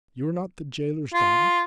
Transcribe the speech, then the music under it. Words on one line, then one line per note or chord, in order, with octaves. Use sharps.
"You are not the gaoler's daughter?"
F4